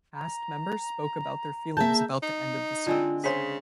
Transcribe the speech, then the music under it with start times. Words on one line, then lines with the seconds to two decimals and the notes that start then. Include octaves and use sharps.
Cast members spoke about their feelings about the end of the series.
0.15 A#5
1.77 A#3 G#4 E5 A5 G6
2.23 D#4
2.86 D3 G#3 C4 F4
3.24 C#3 G#4 C5 B6